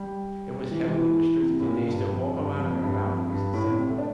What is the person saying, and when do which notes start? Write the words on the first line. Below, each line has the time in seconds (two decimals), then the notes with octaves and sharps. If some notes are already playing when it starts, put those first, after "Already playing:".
it was heavily restricted there. They used to all go out on their balconies and sing.
Already playing: G3
0.71 E3
0.80 D3
0.88 E3
1.42 C3
1.60 A2
1.66 A#2
1.89 G2
2.13 F2
2.36 G2
2.60 F2
2.83 G2
3.07 F2
3.30 G2
3.54 A2
3.63 D3
3.71 C3
3.90 A3
3.98 D4